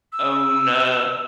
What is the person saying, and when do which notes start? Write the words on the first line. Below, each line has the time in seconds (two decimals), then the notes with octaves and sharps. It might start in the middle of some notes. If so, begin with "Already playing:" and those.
own, uh,
0.13 E6